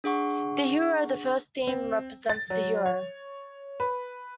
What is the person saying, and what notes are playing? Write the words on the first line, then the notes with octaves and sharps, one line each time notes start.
"The Hero": The first theme represents the hero.
D4 G#4 F#5 C#6
C4
A6
F#3
C#5
B4